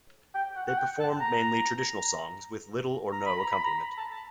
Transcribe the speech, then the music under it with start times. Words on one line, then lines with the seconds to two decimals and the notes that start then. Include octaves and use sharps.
They performed mainly traditional songs with little or no accompaniment.
0.35 G5
0.56 F#5
0.67 F#5
0.78 G5
1.00 A5
1.21 A#5
3.12 A#5
3.26 B5
3.39 A#5
3.52 B5
3.64 A#5
3.97 A5
4.11 A5